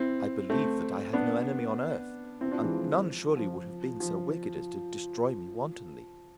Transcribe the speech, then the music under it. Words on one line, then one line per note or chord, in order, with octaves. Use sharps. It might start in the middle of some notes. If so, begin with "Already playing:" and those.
I believe that I have no enemy on earth, and none surely would have been so wicked as to destroy me wantonly.
Already playing: C4 E4
A3 C4
B3 D4
C4 E4
D4 F4
E3 G#3
F3
F3
F3